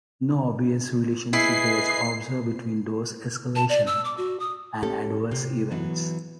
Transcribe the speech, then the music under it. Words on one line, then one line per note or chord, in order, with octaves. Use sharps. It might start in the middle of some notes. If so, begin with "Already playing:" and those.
No obvious relationship was observed between dose escalation and adverse events.
E4 G#4 B4 D#5 C7
A5
D5
E6
D6
F#4
D#6
C#4 G4 A4
C3
E3 F#3 B3